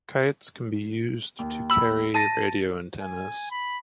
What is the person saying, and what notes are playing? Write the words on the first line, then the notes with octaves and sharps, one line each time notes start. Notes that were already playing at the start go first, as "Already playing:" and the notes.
Kites can be used to carry radio antennas.
D#2
B5 E6
A5 A6 A#6 D#7
G#5
B5